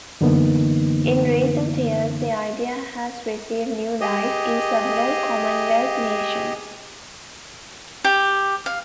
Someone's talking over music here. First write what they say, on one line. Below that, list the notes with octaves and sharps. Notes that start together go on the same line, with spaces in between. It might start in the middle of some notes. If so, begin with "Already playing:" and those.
In recent years, the idea has received new life in several Commonwealth nations.
F#2 D3 E3 A#3 B3 D#4
G4 G#4 D#5
G4
F5